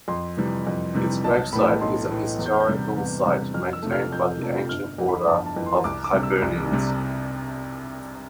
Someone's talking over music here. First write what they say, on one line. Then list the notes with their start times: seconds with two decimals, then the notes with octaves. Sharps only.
His gravesite is a historical site maintained by the Ancient Order of Hibernians.
0.08 F2 C6
0.37 C3 E3 G3
0.67 F2
0.95 C3 E3 G3
1.24 B1 A5
1.53 A2 E3 A3 B5
1.81 B1 C6
2.11 A2 E3 A3
2.39 E2
2.46 G6
2.53 F6
2.60 G6
2.68 C3 G3
2.96 E2
3.26 C3 G3
3.54 F2 F6
3.73 E6
3.83 C3 F3 A3
3.92 F6
4.12 F2 G6
4.40 C3 F3 A3
4.69 G1 F6
4.98 F2 E3
5.09 B5
5.27 G1 A5
5.46 A5
5.56 F2 E3
5.66 C6
5.84 C2 D6
6.04 D6
6.13 C3 G3
6.23 E6
6.42 C2
6.72 C3 G3